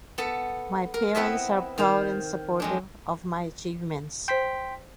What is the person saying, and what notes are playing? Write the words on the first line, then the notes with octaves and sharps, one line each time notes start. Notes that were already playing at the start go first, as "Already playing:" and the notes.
My parents are proud and supportive of my achievements.
B3 A4 A5
A#4
B3 C4 E4 B4 D#5 E5
D#3 C5 F5
F2 G#3 D4
C5 G5 C6 G6 B6